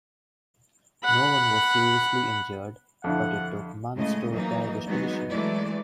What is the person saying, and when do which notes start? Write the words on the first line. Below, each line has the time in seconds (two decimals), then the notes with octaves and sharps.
No one was seriously injured, but it took months to repair the station.
1.04 F#5 B5
3.04 F2 D3 E4 F#5
3.96 A2 C#3 G#3 D#5
4.31 E3 F#3 A#3 D#4
4.86 E3 F#3 G#3 B3 D#4 F#4
5.29 E3 F#3 G#3 A3 E4 D5